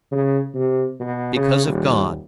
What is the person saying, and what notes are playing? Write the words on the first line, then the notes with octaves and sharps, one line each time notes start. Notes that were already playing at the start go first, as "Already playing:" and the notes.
Because of God.
C#3
C3
B2
C#3
D#1